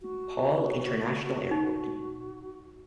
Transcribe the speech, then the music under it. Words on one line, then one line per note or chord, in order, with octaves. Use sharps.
Paul International Airport.
F#4
D#4